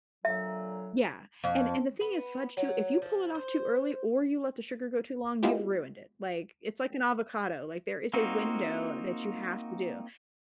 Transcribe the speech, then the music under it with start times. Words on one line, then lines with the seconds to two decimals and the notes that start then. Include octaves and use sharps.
Yeah. And and the thing is fudge, too, if you pull it off too early or you let the sugar go too long, you've ruined it. Like, it's like an avocado, like, there is a window that you have to do.
0.25 A#2 D3 F#3 E5
1.44 F2
2.01 B3
2.57 F#3
3.02 F3
3.35 C5
5.43 G#3 A#3 B3 E4 F4 G4
8.13 A#3 C4 D#4 F4 F#4